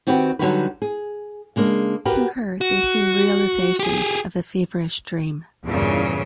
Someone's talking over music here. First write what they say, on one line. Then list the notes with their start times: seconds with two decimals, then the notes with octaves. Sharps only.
To her they seem realizations of a feverish dream.
0.07 D#3 C4 F#4 G4 B4
0.39 D3 F#3 G3 D#4 F#4 B4
0.82 G#4
1.56 C#3 G#3 A#3 D4
2.05 F#4 G4 A#4 B4
2.61 F#4
3.79 G4 G#4
5.64 E2 G2 A#2 C#3 E3